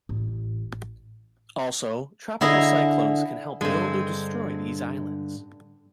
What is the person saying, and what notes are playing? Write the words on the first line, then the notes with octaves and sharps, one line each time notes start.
Also, tropical cyclones can help build or destroy these islands.
A1
D3 E4 G#4 D#5 A#5
G2 D3 G#3 C4